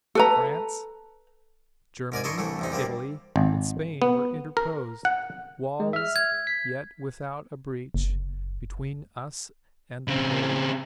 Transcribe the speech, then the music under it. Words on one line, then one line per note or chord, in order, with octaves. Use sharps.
France, Germany, Italy and Spain, were interposed, walls yet without a breach, between us and the plague.
A4 B4 A#5
G#2 A#4 D5 G#5
D4 E4 D#5 C6 C#6
C2 E3 A3 D4
E2 C3 D#4
G3 A#3 C4 D4
G#1
B3
A#4
F#5
G#3
E5 F6
G#6
B6
F#1
C#3 C4